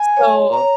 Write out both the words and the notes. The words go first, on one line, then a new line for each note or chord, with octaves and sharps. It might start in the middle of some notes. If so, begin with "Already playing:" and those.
S so
Already playing: G#5
C#5
A#5